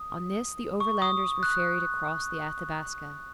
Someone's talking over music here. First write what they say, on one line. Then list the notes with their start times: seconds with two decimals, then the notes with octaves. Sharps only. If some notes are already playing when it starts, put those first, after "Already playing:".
On this the Overlanders were ferried across the Athabaska.
Already playing: D#6
0.80 C#6
1.02 D#6
1.43 F#6